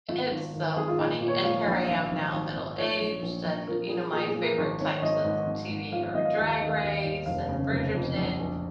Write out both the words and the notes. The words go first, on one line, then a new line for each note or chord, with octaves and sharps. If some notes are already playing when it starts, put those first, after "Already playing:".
It's so funny, and here I am now, middle-aged, and, you know, my favorite types of TV are Drag Race and Bridgerton.
G#1 F4
G#1
D#3
G#1 G#4
F4
A#2 D#4
A#2
C#5
F3 F5
A#1 G#5
G#1 F5
G#1
G#1
G#1
F3 C#5
A#1
A#1
A#1
F3 A#4
F3 G#4
A#2 G#4
G#4
F3
A#4
G#1
G#1 C#5
G#1 D#5
G#2
G#1
G#2
F3 F5
F5
G#1 D#5
F5
D#2 G#5
F5
D#3 D#5
F5
D#2
D#2
F1 F5
C#3
F1
F2
A#1
A#1